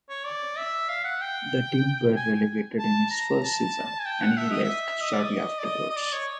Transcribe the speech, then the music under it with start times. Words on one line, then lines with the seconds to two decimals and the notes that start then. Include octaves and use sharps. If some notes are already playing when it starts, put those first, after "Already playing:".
The team were relegated in his first season, and he left shortly afterwards.
0.10 C#5
0.26 D5
0.57 E5
0.89 F5
1.04 F#5
1.21 G5
2.16 G#5
2.79 A5
3.11 A#5
3.43 A5
3.99 G#5
4.06 G5
4.22 F#5
4.38 E5
4.51 D#5
4.64 E5
5.01 D#5
5.13 D5
5.24 D#5
5.59 D5
5.65 D#5
5.90 D#5
5.96 D5
6.12 C#5